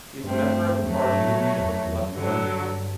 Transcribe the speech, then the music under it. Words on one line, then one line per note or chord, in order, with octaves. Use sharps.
He is a member of the party leadership of the Left party.
G2 A3 C4
E2
F#2 F#3 A3
G2
A2
B2
A2
E2
F#2
E2
E2
F#2
G2 D3 F#3
A2
G2